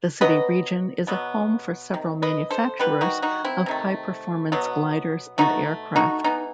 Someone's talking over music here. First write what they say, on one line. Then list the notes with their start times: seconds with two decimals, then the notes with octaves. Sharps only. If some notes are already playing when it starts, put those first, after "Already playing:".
The city region is a home for several manufacturers of high-performance gliders and aircraft.
0.21 C3 F#3 B3 B4 D#5
1.07 B2 F#3 B3
1.94 C3 D#3
2.23 B4 D#5
2.51 A4 C5
2.79 D#3 G3 B3 G4 B4
3.01 D#4 F#4
3.22 D#4 F#4
3.45 C4 E4
3.66 C3 D#3 A3
4.52 B2 F#3 B3
5.38 B2 A3 D#4 F#4
5.96 D#4 F#4
6.24 E3 B3 D#4